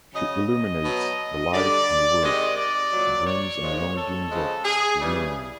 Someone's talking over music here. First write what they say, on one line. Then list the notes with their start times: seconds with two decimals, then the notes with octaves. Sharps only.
She illuminates the life and work, dreams and longings of women.
0.14 C#3 F#3 D#5
0.49 D#5
0.84 B2 F#3
1.53 D3 G3 D5
2.22 C3 D#3 G#3 D#5
2.57 D5
2.92 A#2 F#3
3.27 C#5
3.61 A#2 F3 G#3
3.96 A4
4.30 C#3 F3 G#3
4.65 G#4
5.00 C#3 E3 G3 G#4